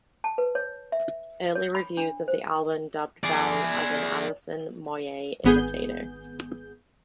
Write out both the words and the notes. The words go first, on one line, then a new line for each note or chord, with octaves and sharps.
Early reviews of the album dubbed Bell as 'an Alison Moyet imitator'.
A5
B4
C#5
E5
C#5
B5
D4
C5
G#4 D5
G#1 B3 G#4 G6